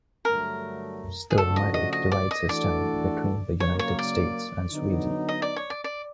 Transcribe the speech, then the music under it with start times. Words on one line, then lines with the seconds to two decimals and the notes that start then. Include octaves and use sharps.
Stormare divides his time between the United States and Sweden.
0.25 G2 D3 F#3 A3 A#4
1.31 G#4
1.37 C#3 F3 A3 D4 F#4 A4
1.56 D#5
1.74 D#5
1.93 D#5
2.12 D5
2.31 D#5
2.49 E3 A3 D4 F#4 A4 D5
3.60 C#3 F#3 A#3 C#5
3.79 C#5
3.99 D5
4.72 D3 F#3 B3 D#4
5.29 D#5
5.42 D5
5.56 C#5
5.70 D5
5.84 D5